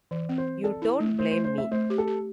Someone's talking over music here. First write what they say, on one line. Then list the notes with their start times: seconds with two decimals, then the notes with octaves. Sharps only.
You don't blame me?
0.11 E3 D5
0.29 C4
0.38 C5
0.47 C4
0.64 A4 D5
0.82 E4
1.00 A3
1.18 A3 C5
1.31 C5
1.36 A3
1.45 C5
1.54 C4 E5
1.72 A3 C5
1.90 G4
1.98 A4
2.07 G4